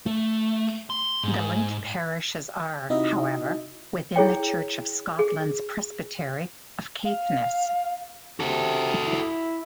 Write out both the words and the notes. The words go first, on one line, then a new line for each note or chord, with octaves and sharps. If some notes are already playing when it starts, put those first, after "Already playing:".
The linked parishes are, however, within the Church of Scotland's Presbytery of Caithness.
A3
C6
G#2
C3 D#4 E4 F#4 D#5 E5
E4 G#4 C#5 G5
G#4
F5
C3 F#4 A4
E4